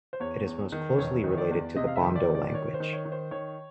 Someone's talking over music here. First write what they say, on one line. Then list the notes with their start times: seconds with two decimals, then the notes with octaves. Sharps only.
It is most closely related to the Bondo language.
0.13 C5
0.20 E2 C#5
0.46 E2
0.72 D#3
0.98 E1 C#5
1.24 D#3
1.38 D5
1.51 E2
1.76 C3 D#5
1.87 F5
1.96 E5
2.02 D#3
2.16 D5
2.28 D#3
2.35 D5
2.49 D5
2.54 D#3 C#5
2.74 C5
2.80 D#3
2.93 C#5
3.05 D#3
3.12 C5
3.31 D#3 C#5